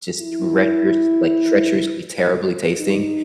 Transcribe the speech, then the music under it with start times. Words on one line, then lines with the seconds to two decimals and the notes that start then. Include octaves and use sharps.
just treacherous, like, treacherously, terribly tasting.
0.21 E4
2.78 D#4